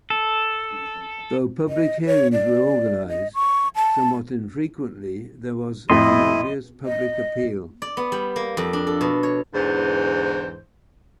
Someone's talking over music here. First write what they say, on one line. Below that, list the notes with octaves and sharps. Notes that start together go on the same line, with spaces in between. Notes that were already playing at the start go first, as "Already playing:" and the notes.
Though public hearings were organized somewhat infrequently, there was an obvious public appeal.
A4
D#5
C#5
D5
D#5
C#6
A5
F2 A2 E4 D#5 C6
D#5
D5
B3
G3
A#3
F2
D4
A4
B2
C#5
E2 G#2 D3 E3 C5